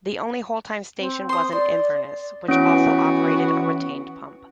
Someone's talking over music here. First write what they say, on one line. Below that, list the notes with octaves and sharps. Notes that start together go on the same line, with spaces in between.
The only wholetime station was in Inverness, which also operated a retained pump.
C4
C6 D#6
D5 C6
E3 B3 C#4 F#4 D7